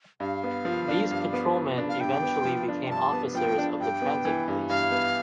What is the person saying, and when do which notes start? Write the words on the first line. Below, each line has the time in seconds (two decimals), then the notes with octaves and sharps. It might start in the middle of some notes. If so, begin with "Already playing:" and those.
These patrolmen eventually became officers of the Transit Police.
0.20 G2 F5
0.44 B3
0.65 F3
0.88 D4
1.11 G2
1.33 B3
1.56 F3
1.78 D4
1.89 F5
2.00 G2 G5
2.23 B3
2.45 F3
2.68 D4
2.86 G5
2.90 G2 A5
3.13 B3
3.35 F3 G5
3.58 D4
3.80 G2 G5
4.02 B3
4.25 E3
4.48 G2
4.69 G2 F5
4.92 B3